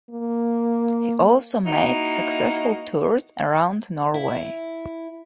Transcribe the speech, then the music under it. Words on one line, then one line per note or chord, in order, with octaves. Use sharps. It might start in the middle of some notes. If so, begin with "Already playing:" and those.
He also made successful tours around Norway.
A#3
A#3 D#4 E4 F#4
E4